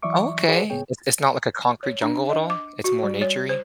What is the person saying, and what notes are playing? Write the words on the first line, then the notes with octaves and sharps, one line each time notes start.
Okay. It's it's not, like, a concrete jungle at all. It's more naturey?
E3 F#3 D5 E5 C#6 D6
F#4 G#4 B4 C5 D5 F#5
C#2 A2 B3 G#4 C#5 G5
C#5
D4
D#5
D6
F#4
G3
C#5
C5